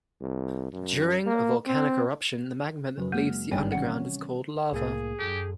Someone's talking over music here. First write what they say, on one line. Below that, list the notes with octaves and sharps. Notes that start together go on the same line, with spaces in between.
During a volcanic eruption the magma that leaves the underground is called lava.
C2
F#2
A#3
C4
F#2 C#3 F#3 B4
C#3 G#3 A#3 F6
G#1 G2 C#5 G5 G#5
C3 D#3 E3 G3 C#4 F#5
C2 A2 A#3 G#4
F#2 G4 A4